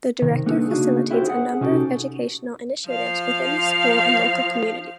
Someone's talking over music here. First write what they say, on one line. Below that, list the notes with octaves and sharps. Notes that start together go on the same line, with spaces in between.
The director facilitates a number of educational initiatives within the school and local community.
C3 D#3 A#4
A#3 B3 D4 D#4 G#4 A4
C#3 A#3 D4 D#4 F#4 G#4
E4 F#4 G4 A4 B4 C5
G#4 F#5
C3 C#4 D#4 F#4 G4 A4
F3 F5